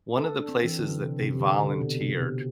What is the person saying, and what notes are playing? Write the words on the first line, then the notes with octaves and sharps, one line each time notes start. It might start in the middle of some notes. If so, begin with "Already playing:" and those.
one of the places that they volunteered
A4
D4
C4
E3
D3
D3
C3
C3
D3
D3
B2
C3
B2